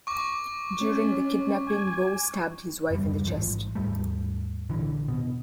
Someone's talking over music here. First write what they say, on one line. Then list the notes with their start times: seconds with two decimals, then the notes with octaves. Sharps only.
During the kidnapping, Bowe stabbed his wife in the chest.
0.07 C#6 D6
0.81 C#4
1.67 G#5
2.91 F#1 D#2 G3
3.27 A1 G#2 F3
3.75 D#2 G#2 G3 A3
4.69 A#1 D3 E3
5.08 B2